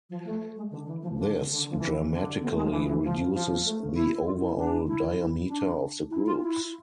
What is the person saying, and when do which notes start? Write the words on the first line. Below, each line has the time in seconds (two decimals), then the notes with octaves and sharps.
This dramatically reduces the overall diameter of the groups.
0.10 F3
0.25 A3
0.56 G#3
0.71 D3
0.86 E3
1.02 F3
1.17 D3
1.49 D3
1.69 F3
1.78 E3
2.10 D3
2.42 B3
2.49 A3
2.57 G#3
2.64 F3
2.71 E3
2.87 E3
3.03 F3
3.34 F3
3.64 A3
3.94 E4
4.25 F4
4.41 E4
4.56 D4
4.87 E4
5.17 E4
5.48 D4
6.10 E4
6.26 F4
6.42 E4